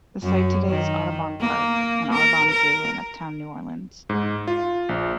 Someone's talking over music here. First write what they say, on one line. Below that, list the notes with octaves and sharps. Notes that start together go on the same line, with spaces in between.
The site today is Audubon Park and Audubon Zoo in uptown New Orleans.
F#2
D#3
A#3
A#4
A#4
G#2
F4
A#1